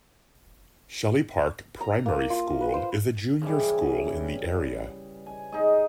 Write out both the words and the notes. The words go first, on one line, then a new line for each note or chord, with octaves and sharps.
Shelly Park Primary School is a junior school in the area.
A#5
A#3
F4
B4
C5
C#3 E3 G3
E3
G#5
D#4 G#4 D#5